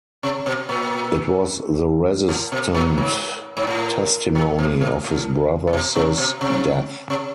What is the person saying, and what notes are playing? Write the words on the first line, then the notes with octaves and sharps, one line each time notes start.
It was the resistant testimony of his brothers’ death.
C3
B2
A#2
A2
B2
A#2
G#2
G#2
A2
A#2
B2
B2
A2
A#2
B2
C3
B2
C3
C3